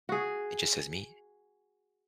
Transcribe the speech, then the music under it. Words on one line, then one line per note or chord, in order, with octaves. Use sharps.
It just says, "meat."
F#4 G#4